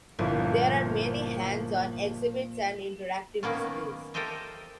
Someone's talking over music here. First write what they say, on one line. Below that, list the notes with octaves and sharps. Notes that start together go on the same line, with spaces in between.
There are many hands-on exhibits and interactive displays.
G1 A#2 F3 E4
D#3 F#3 A#3 B3 C#4
G4 A4 A#4 C5 D#5 E5